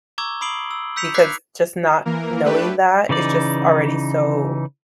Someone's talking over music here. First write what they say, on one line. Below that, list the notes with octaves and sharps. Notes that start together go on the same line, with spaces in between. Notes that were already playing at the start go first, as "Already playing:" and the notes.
because just not knowing that is just already so,
A#5 C#6 D6 E6 G#6 G7
B5 D#6 C7 D7 F#7 G7
E6
E6 G6 B6 C#7 F7
D6 F#6 G#6 B6 C7
E3 A#3 A#4
A3 D4 G4 B4
C#3 E3 D#4 D5